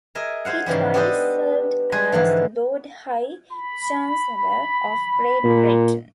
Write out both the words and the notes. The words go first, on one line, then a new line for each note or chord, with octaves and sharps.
He twice served as Lord High Chancellor of Great Britain.
G#4 A#4 D#5 E5
G#4 C5 F5 F#5
G#2 C#3 E3 F3 G3
B3 D4 G4 A4 C5 D#5
G3 G#4 B4 G#5
G#2 D3 E3 F3
B5
A#2